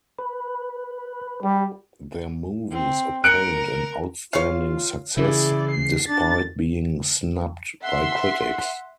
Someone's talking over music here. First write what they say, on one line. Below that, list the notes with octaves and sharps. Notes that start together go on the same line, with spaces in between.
Their movies obtained an outstanding success, despite being snubbed by critics.
B4
G3 G4
C4
A#4 F#6 C#7 D7
F4 C#5 F5
C#3 E3 E4 G#4 D5
C7
D4 A6
E5 F#5 C6